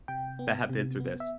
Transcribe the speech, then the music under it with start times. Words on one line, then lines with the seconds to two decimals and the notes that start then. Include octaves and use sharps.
that have been through this,
0.08 C3 G5
0.39 B3
0.69 C3
1.00 B3
1.20 E5